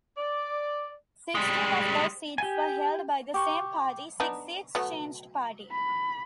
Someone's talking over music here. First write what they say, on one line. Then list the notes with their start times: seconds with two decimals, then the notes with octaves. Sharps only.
Sixteen of those seats were held by the same party, six seats changed party.
0.17 D5
1.35 G3 G#3
2.38 G4 G#5
3.34 G4 C#6
4.20 B3 D4 D#4
4.75 F#3 A3 B3
5.72 B5